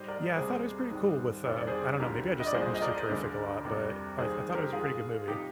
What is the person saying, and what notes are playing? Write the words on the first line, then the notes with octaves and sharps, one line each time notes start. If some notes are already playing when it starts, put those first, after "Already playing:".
Yeah, I thought it was pretty cool with, uh I don't know, maybe I just like Mr. Terrific a lot, but I I thought it was a pretty good movie.
Already playing: G#2 G3 C5 D#5
A#4 D5
D2 C3 G3 G#4 C5
G#2 D#3 G3
F2 C3 D#3 G3 C5
D5
G#4 C5
D2 D3 F3 G4 A#4
D#5
D5
C2 A#2 F3 G#3 G#4 C5
D#5
A#4 D5
D2 D3 G#3
F2 C3 G3
D#2 D#3 G3 G#4 C5
C5
G4 A#4
G#2 F3 G#3 F4 G#4
C3 F3 D#4 G4